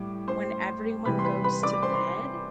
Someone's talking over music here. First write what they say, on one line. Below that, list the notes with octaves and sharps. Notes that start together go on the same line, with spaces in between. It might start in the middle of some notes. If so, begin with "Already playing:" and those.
when everyone goes to bed
Already playing: A2 G3 D6
C5 C6
C3 E3 G3 B4 B5
C6
B4 B5
B4 B5
D5 D6
C5 C6
C6